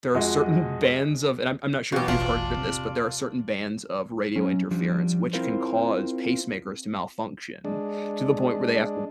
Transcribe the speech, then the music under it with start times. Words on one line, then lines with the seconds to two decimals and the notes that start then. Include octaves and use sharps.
there are certain bands of and I'm I'm not sure if you've heard of this, but there are certain bands of radio interference which can cause pacemakers to malfunction to the point where they have to
0.14 F2 G#3 F#4 D#5
1.92 B2 E3 F#3 F4 G4
2.08 E1 A1 D4 F4
2.57 C3
4.36 F#3 C#4
4.71 F3 G3 D4
5.33 C4 E4 F4 A#4 C5
7.65 G#3 D4